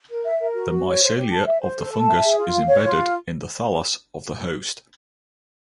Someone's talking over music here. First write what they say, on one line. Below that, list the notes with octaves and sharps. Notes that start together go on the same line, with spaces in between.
The mycelia of the fungus is embedded in the thallus of the host.
A#4
E5
A#4
F#4
F#4
C#5
C5
G4
A5
E5
C5
A4
A5
E5
G#4
F4
F5
C#5
F4